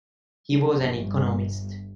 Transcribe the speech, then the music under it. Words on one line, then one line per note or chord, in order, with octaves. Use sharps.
He was an economist.
G1